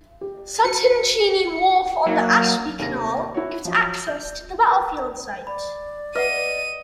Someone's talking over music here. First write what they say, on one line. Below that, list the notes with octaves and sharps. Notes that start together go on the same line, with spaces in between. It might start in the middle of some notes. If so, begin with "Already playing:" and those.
Sutton Cheney Wharf on the Ashby Canal gives access to the battlefield site.
G4
F#4 C#7
F#3 A#3
D#2 C3 A#4 A#6
E4 F#4 C#5
F3 F#3
G6
A#4 B4
D5 B5
B4 D#5 E5 F#5 D#7